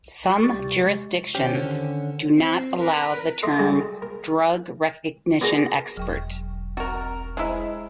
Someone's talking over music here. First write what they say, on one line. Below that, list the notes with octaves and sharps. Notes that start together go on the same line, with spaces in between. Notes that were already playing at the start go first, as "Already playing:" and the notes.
Some jurisdictions do not allow the term Drug Recognition Expert.
G3 C#6 A6
C3
G#3
D#3 C#4 G4 C5
D3
C4
A#4 B4
A4 D#5 E5 C6 D6
G3 F#4 G#4 A4
A#4
B3 D4 F#4 G#4 A#4 A#5
E1 B1 F#3 G5 C#6
C4 F#4 A#4
G#3 E4 G#4 C5 A#5